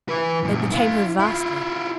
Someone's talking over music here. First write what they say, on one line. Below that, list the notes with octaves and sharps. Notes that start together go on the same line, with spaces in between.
They became her vastly.
E3 B4
F#2 A#2
E4 F5
E4 F4